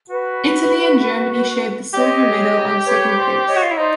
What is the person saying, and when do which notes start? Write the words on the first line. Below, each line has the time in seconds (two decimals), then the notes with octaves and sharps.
Italy and Germany shared the silver medal on second place.
0.09 F#4 B4
1.94 G4 C#5 D#5
2.85 B4 C#5
3.16 C5 D5
3.47 C#5 D#5
3.56 F#4
3.63 F4
3.71 E4
3.77 D#4 C5 D5